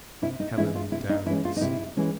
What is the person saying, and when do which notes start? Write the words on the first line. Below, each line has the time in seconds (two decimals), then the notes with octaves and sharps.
Helen looked out at the sea.
0.22 C3 E4
0.40 D#4
0.57 E3 G#3 C#4 E4
0.75 F4
0.92 C3 E4
1.09 D#4
1.26 E3 G#3 C#4 E4
1.45 F4
1.56 D#4
1.61 C3 E4
1.97 E3 G#3 C#4